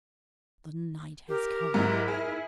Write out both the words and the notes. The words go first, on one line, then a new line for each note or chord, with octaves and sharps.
The night has come!
G4 A#4
G#2 F#3 E4
G#4